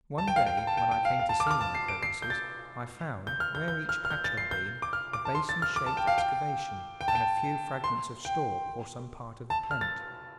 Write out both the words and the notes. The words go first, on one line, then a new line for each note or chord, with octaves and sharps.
One day when I came to see my Crocuses, I found where each patch had been a basin-shaped excavation and a few fragments of stalk or some part of the plant.
A5
G5
F5
G5
G5
A5
G5
G5
F5
F5
A5
D6
F6
D6
A5
C7
D7
C7
G6
A6
G6
F6
G6
G6
F6
F6
G6
A6
C7
G6
D6
F6
D6
A5
C6
A6
F6
D6
A5
G5
F5
G5
G5
A5
G5
C6
G5
A5
F6
A6